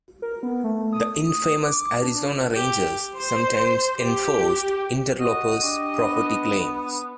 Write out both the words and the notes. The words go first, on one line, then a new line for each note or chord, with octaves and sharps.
The infamous Arizona Rangers sometimes enforced interlopers' property claims.
A#4
B3
A3
D#6
D6
D4
G4
C5
G4
F#4 D#5
D4 G4
B3